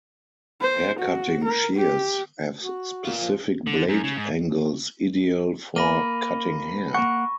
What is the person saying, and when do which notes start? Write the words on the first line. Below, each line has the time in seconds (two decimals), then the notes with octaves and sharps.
Hair-cutting shears have specific blade angles ideal for cutting hair.
0.61 C5
1.00 F#4
1.45 A#4
1.76 G4
2.62 F#4
3.05 A#3 F4
3.20 F3
3.67 D3
3.89 F#2
4.04 C#3
4.17 G#2
5.76 A#3 B5 A#6 D#7
6.94 A#3 F#5 C#6